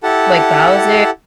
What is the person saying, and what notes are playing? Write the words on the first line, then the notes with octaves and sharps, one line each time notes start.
like, Bowser,
E4 G4 A4 F#5 A5